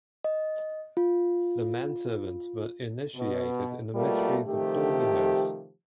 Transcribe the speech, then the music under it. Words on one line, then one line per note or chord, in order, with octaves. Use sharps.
The men-servants were initiated in the mysteries of dominoes.
D#5
F4
B2
B2 G3 A3 A#3 F4 A#4
C3 D#3 F3 A3 G4